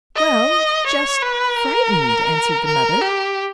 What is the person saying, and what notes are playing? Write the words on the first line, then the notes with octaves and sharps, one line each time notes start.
'Well--just frightened,' answered the mother.
D#5
C#5
B4
A#4
A#4
G4